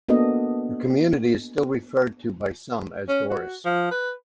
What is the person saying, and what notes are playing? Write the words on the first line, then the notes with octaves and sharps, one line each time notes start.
The community is still referred to by some as Dorris.
A#3 B3 D4 F#4 A4 D#5
C#4
F#4
F3
B4